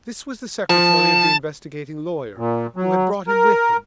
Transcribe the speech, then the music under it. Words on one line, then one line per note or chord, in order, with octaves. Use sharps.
This was the secretary of the investigating lawyer, who had brought him with him.
F3 A5
A#2
F#3
A#4